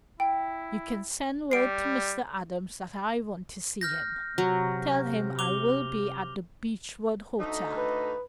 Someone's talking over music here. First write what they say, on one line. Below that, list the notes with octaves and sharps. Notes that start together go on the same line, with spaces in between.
You can send word to Mr. Adams that I want to see him. Tell him I will be at the Beechwood Hotel.
E4 G5
G3 C7 D7
F6 G6 A#6
C3 F#3
D6 F7 G7
D2 A3 D#4
B4